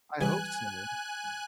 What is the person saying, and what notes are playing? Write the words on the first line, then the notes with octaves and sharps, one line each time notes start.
I hope so.
E3 G3 B3 G#5 F#6